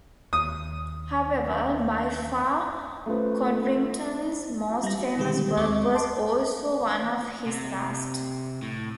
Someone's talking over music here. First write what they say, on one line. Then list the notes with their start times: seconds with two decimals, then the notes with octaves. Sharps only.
However, by far Codrington's most famous work was also one of his last.
0.33 D#2 D#6
3.06 A3 C#4 F4 B4 C5
4.84 G3 A#6
4.99 F#4
5.18 B2 D3 D#3 G3 G#3 G4
5.57 D#2 G#3 C4 D#5 C#6 D6
5.95 A5 C6 D6
7.46 C3
8.62 A2